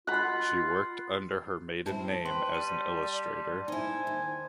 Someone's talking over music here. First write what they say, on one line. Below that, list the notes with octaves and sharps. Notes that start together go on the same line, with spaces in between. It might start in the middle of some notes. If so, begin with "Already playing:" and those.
She worked under her maiden name as an illustrator.
F4 F#5 B5
C4 E4 C5 A5
B4 G5 C6
G3 D5 D#7
D#4 E4 C5 G#5
D#2